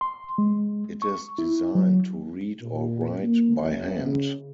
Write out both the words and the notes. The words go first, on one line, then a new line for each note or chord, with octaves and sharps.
It is designed to read or write by hand.
C6
G#3
C#6
E4
F#3
A#2
A#3
F#1
C#3